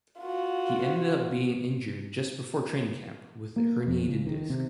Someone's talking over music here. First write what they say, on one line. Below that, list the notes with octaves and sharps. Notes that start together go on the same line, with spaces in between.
He ended up being injured just before training camp with a herniated disk.
F4 F#4
A#3
F2
C#2
D#3
C3